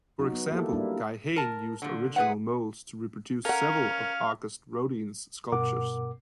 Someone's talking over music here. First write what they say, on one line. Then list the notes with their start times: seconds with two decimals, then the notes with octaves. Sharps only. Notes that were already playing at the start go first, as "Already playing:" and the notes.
For example, Guy Hain used original molds to reproduce several of Auguste Rodin's sculptures.
0.19 F#3 D#4 F#4
0.33 B3
0.52 A#3 E4 G4 A4
0.73 G3 A#3 D4 E4
1.36 A#4 A5
1.82 A#2 D3
2.16 G#4 B4 C#5 E5 F#5
3.45 C#4 A4 A#4 F5 F#5
5.52 G2 B2 A#4 F#5 D6